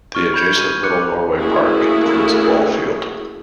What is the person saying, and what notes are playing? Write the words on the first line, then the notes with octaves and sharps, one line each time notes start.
The adjacent Little Norway Park includes a ball field.
C#6 F6
B5 G6 G#6
D#7
D6 F#6 C#7
A3 A#3 C#4 E4 F#4 G#4